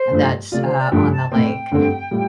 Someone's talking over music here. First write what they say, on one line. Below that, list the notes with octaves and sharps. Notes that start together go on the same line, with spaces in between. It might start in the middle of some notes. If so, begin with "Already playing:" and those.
that's, uh, on the lake.
Already playing: C5
G2 F3 A3 F4
C3 A3 F4 D5
C5
D5
G2 F3 A3 G5
A5
A2 A3 C4 G5
G2 D3 A3 C4
A2 G3 F4